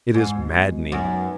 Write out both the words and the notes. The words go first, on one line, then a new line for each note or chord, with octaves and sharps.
It is maddening.
G#2 G#3
B3 F#4 D#5
G#3
B3 F#4 D#5
F#2 D#4
B4 F#5